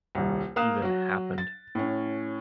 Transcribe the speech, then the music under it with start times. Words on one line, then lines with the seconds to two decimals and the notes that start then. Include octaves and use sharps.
even happened.
0.15 D#1 C2
0.56 A#3 F5 A#5 D#6 F#6 E7
0.82 F#3 F#4
1.38 A6
1.75 A2 C#4